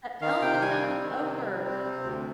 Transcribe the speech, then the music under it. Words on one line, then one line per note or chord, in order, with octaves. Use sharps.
that te tell 'em to come over."
D#3 F5
C3 G5
G3 G#5
C4
D#3
C3
G3
C4
C3
D2